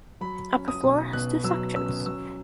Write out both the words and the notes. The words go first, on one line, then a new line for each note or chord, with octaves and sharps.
Upper floor has two sections.
F#3 B5
C#4
D#6
B1
B2 F#6
F#3 E6
C#4 E6
F#3 E6